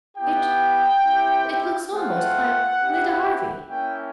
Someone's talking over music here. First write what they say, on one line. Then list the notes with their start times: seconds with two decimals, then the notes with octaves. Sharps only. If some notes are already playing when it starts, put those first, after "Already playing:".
"It--it looks almost like Lida Harvey."
0.16 B3 E4 G4 G5
1.04 C4 E4 G4
1.92 A3 C4 F4 F#5
2.79 C4 E4 G4
3.67 A#3 C#4 E4 G5